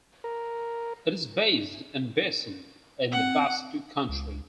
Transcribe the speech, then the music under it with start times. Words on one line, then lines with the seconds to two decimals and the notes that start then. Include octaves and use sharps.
It is based in Beasain in the Basque Country.
0.24 A#4
3.12 C4 F#5
4.09 C#2